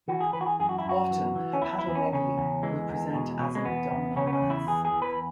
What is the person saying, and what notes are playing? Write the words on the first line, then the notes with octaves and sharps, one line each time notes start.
Often, hepatomegaly will present as an abdominal mass.
E3 F#4
G#4
E3 B4
F#4
G#4
F#2 G#4
F#4
E4
F#2 F#4
E3
E3
C#4
E2 E4
E4
E2
C#4
C#3 C#4
E2
E3 G#3
E2
B2
B2
G#3
E2 B3
E2
C#3 C#4
B3
C#4
E2
E4
E3 G#4
G#4
E2
B4